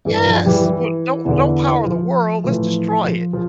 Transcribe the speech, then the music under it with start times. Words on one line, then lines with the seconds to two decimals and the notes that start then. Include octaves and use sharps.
yes, w don't don't power the world, let's destroy it,
0.05 G2 E3
0.26 F3
0.46 E3 G3
0.65 E3
1.25 E2 D3 E3
1.84 F3
2.44 A2 E3 F3 A3
3.04 F3
3.33 F3